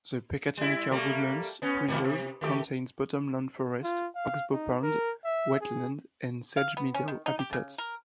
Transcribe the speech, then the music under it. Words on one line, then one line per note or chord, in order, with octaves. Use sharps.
The Pecatonica Woodlands Preserve contains bottomland forest, oxbow pond, wetland, and sedge meadow habitats.
G3 E4
G3 A3 A#3
B3 C#4
G#2 D#3 F3
C3
D#3 A3 G4
F4
F5
D#4
A#4
E5
G#4
F5
B3
C#4
D#3
D#4
G4
C#3
A#4